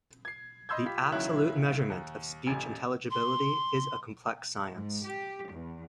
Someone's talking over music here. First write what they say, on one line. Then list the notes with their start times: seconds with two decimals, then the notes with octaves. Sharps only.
The absolute measurement of speech intelligibility is a complex science.
0.25 G#6 C7
0.69 D#5 B5 C6 E6 G6 G#6
0.85 F4 G4 B5 B6
1.12 C#2 D#3 F#3 E4 C#5 F#6
1.90 D#2
2.46 D#1 A1 G#5
3.11 C6
4.75 G#2
5.04 G4
5.50 E2